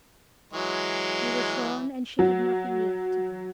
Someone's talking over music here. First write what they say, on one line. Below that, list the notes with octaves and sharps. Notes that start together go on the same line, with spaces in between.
He was gone, and she had nothing left to her.
E3 F#3 G#3
F#3